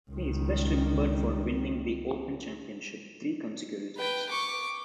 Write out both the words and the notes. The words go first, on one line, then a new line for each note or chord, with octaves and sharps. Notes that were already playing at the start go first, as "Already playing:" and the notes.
He is best remembered for winning the Open Championship three consecutive times.
C#2 D#3
B4 G5
C#6 D6